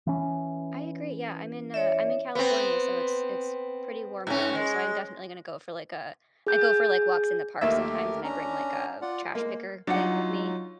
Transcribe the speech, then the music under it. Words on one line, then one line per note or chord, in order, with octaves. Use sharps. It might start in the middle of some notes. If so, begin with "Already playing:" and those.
I agree, yeah, I'm in, uh I'm in California, so it's it's pretty warm out here. So I am definitely gonna go for, like a I go for, like, walks in the park sometimes and I bring like a trash picker thing with me.
E3 C#4
C#5 D5 E5
B3 C4
G#2 C#4
G#3
G#4 G6
D#2 A3 A#3 G4 A#4 E5
C#4 D4 A#5
F4 D5 F#5
G#3 A#3
F#3 D4 D#4 F4 F#5